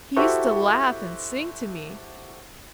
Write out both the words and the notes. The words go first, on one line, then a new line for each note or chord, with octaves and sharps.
He used to laugh and sing to me....
E4 F#4 G4 A4 C5 C#6